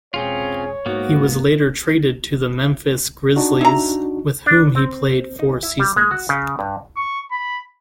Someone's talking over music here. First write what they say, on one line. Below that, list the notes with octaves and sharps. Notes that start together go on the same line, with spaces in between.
He was later traded to the Memphis Grizzlies, with whom he played four seasons.
E1 C4 C#4 F4 G#4 C#5
G#2 A#3 B3 F#4
D4 D#4 F#4
E4 A#5
D4
C4
D#4
E4
G3
G#3
F#4
C#3
G2
C#6
B5